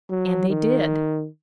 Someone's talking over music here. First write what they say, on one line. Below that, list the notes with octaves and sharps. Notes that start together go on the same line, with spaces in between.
And they did.
F#3
D#3